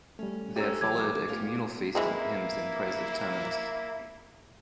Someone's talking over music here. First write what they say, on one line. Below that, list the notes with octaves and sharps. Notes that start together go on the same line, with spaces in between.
There followed a communal feast and hymns in praise of Terminus.
G3 A3 C#4
A3 C#4 G4 C#5 A#5 E6
E3 F#3 D6 G#6
E2 A3 F4 G4
E3 G#3 A#3 C4 E4